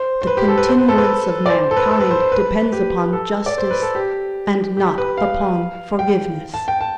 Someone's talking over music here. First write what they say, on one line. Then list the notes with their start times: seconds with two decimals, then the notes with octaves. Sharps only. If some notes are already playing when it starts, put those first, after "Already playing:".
The continuance of mankind depends upon justice and not upon forgiveness.
Already playing: C5
0.22 C5
0.27 B4
0.37 G4
0.48 A4
0.58 B4
0.69 C5
0.78 B4
0.89 A4
0.98 B4
1.46 D5
1.50 C5
1.71 A4
1.77 B4
1.91 A4
2.00 B4
2.11 C5
2.21 C5
2.32 B4
2.73 G4
3.13 A4
3.46 D5
3.58 C5
3.71 B4
3.82 A4
3.95 G4
4.77 G4
4.98 B4
5.18 F5
5.99 G5
6.54 A5
6.68 G5
6.81 A5